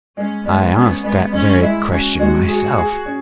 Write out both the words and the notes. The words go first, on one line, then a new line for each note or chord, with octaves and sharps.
I asked that very question myself.
G#3 C#4
G#3 B3
B3 C#4
G#3 B3
G#3 C#4
G#3 E4
C#4 F#4
G#3 F#4
F#4 G#4
G#4
C#4